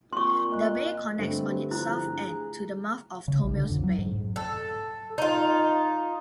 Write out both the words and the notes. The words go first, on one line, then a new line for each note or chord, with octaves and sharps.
The bay connects on its south end to the mouth of Tomales Bay.
A#2 C4 C6 C#6
A#3 D#5 F#6
G2 D3 A3 C4 D4 G4
F3 E4 A#5 F#6
G#4
C#3
B1
D3
F2
F#3
G#2
A4
D#4 F4